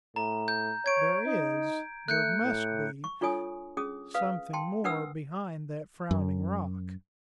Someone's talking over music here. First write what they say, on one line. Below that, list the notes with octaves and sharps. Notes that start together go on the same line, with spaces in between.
There is--there must be--something more behind that frowning rock.
A2 A#5
G6
C#5 G#6 D7
D#4
A3 F#6 G6 C#7
A2
C#6
D4 F4 A4 C#5 G#5 D#6
C#4 G#4 D#6
B4 F5 D#6
G5 A5 C6
D4 A#4 B4 F#5 D#6 E6
F#2